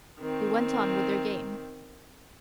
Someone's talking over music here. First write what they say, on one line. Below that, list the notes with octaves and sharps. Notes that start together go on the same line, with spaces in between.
They went on with their game.
D#3 C4